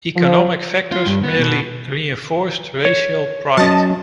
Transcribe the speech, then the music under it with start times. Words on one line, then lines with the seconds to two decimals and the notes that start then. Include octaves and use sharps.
Economic factors merely reinforced racial pride.
0.16 F3
0.92 F4
1.06 G2
1.24 B3
1.39 B2
2.85 C#5
3.57 F#3 C#4 D#5 A5